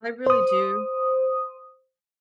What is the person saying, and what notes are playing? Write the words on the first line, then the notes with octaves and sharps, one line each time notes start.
I really do.
C5 D#6